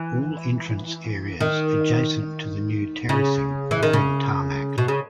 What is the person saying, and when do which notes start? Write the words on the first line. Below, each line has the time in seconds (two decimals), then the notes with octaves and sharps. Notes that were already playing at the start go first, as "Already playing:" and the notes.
All entrance areas adjacent to the new terracing have been tarmacked.
Already playing: E3
1.40 D#3
3.09 C#3
3.71 E3
3.83 D#3
3.93 C#3
4.78 B2
4.88 C#3